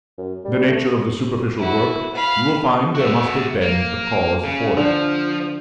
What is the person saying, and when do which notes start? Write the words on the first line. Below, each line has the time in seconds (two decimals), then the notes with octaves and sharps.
In the nature of the superficial work you will find there must have been a cause for it.
0.18 F#2
0.45 G3
0.69 A3
1.59 E4 F#4
2.14 F5 B5
2.95 F#4 E5
3.61 A#3
4.44 C#3
4.77 D3 F3